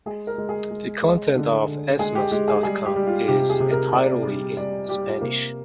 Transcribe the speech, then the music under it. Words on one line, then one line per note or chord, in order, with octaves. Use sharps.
The content of esmas dot com is entirely in Spanish.
G#3 G#4
A#4
G#3
G#4
G#3
G#3
D3
D3
G#3 G#4
G4
G#3 G4
G#4
G3 G#4
G4
G3
F4
C3 G4
G#4
C3
A#4
C3 D5
G3
G3 D5
G3 G4
F4
C3 A#3